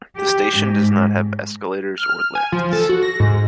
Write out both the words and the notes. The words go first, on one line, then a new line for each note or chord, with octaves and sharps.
The station does not have escalators or lifts.
G4
G#2
F6
G#5
F3
A4
F#4
A#6
G#2